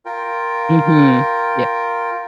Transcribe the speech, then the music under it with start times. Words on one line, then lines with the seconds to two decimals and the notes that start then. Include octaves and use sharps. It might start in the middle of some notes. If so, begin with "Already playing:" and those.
Mhm, yeah
0.05 F4 A#4 G5